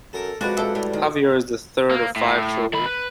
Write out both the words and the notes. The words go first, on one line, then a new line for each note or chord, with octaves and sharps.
Javier is the third of five children.
F#2 A4 A#4
F2 F#3 G#3 F#4 B4 D5
F2 A4 E5
A2 G3
D#3
A#3
A2
D#3 B5
B4